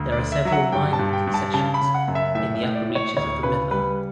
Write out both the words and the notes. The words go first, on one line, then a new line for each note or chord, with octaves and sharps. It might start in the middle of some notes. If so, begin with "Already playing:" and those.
There are several mining concessions in the upper reaches of the river.
Already playing: D2
D5
D3
E5
F#3 E5
F#5
G2 G5
A5
G2
G5
G2
A5
C#3 A5
B5
C#3
F#5
F#2
E5
A2 E5
E5
A2
D5
A2
C#5
D2 C#5
C#3 B4
G3 B4